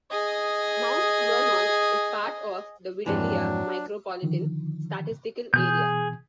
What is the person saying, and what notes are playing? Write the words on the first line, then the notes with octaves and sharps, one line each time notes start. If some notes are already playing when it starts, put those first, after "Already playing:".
Mount Vernon is part of the Vidalia Micropolitan Statistical Area.
G#4 D#5
F2 G#2 E3 F#3 D4
D3 D#3 F3
B2 E3 G#4 G6